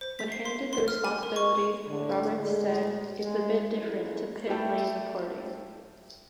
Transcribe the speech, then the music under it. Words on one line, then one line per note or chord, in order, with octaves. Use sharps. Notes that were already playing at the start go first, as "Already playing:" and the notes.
When handed the responsibility Roberts said It's a bit different to pit-lane reporting.
C5
B6
C7
C6
C6
F6
G#5
A#4
C#6
A2 D3
A2 G#3 G#4
G#3
F#2 F3 G#3 A#3 E4 G#4
G3 A3 E4 G4 A4